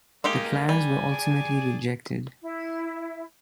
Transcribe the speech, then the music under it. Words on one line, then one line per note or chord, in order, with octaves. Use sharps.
The plans were ultimately rejected.
G#3 A#3 D#4 G4
G3 G#5
G#4 D5 A5
E4